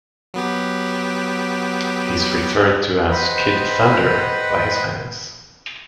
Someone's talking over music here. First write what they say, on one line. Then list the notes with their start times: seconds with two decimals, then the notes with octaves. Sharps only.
He is referred to as "Kid Thunder" by his fans.
0.34 F#3 B3 G4
3.11 B4 C5 D#5 F#5 G5 B5